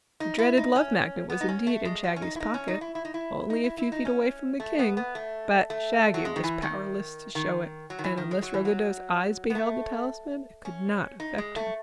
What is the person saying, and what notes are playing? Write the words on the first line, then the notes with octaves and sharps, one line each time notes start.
The dreaded Love Magnet was indeed in Shaggy's pocket, only a few feet away from the King, but Shaggy was powerless to show it and unless Ruggedo's eyes beheld the talisman it could not affect him.
D#4
E4
D#4
C#4
B3
D#4
C#4
A3
G#3
F#3
C#4
D#4
E4
D#4
C#4
D#4
E4
E4
D#4
E4
D#4
E4
E4
D#4
C#4
A3
B3
B3
A3
A3
F#3
G#3
D#3
E3
D#3
D#3
F#3
D#3
E3
D#3
G#3
F#3
E3
F#3
B3
A3
C#4
D#4
G#3
A3